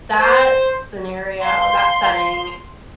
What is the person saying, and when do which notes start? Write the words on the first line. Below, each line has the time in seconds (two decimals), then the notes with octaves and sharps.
that scenario, that setting
0.19 C5
1.43 F5 C6